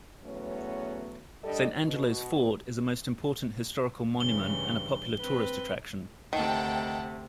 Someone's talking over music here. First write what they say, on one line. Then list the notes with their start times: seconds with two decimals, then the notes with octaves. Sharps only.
Saint Angelo's fort is a most important historical monument and a popular tourist attraction.
0.24 E2 F#3 A3 B3 C#4
1.44 G3 D4 A4 D#5
1.83 B2
4.20 G2 C#3 E3 G7
5.21 C4 B4
6.33 D2 C3 D#3 F#5 G5 A5